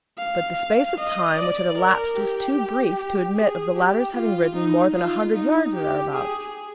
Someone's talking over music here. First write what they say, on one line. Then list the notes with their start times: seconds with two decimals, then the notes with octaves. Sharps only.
But the space of time which had elapsed was too brief to admit of the latter's having ridden more than a hundred yards or thereabouts.
0.18 F5
0.98 D#5
1.38 D5
1.78 A#4
2.18 G4
3.37 G#4
3.77 G4
4.16 F4
4.56 D#4
4.96 F4
5.36 D#4
5.75 G4
6.15 G#4